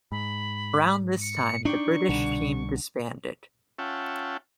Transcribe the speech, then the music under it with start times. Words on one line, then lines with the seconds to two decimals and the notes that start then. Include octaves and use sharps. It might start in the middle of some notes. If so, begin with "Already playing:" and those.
Around this time, the British team disbanded.
0.12 G#2 B5
1.22 C#7
1.65 D4 D#4 D5 G5 C#6
2.09 C2 B2 D3 G3
3.79 C#4 F4 E5 F#5 G5 A5